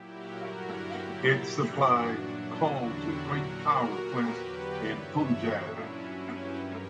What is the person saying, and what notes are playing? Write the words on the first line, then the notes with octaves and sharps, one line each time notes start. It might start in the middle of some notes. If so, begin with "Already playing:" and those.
It supplies coal to three power pants in Punjab.
Already playing: A#2 F#3 E4 G4
F#4 A#4
G2 D3 F#3
E4 G4
A#2 F#3 E4 G4
G2 E3 D4 F#4
A#2 F#3 D4
C#4 E4
E2 D3 F#3 D4 F#4
E4 G4
A#2 F#3 F#4 A#4
A#2 F#3
G4 B4
E2 D3 F#3
B4 D5
G2 E3 C#5 E5
D4 F#4
A#2 F#3 C#4 E4
D4
G2 F#3 C#4 E4
G4 B4
G2 E3 A#4 C#5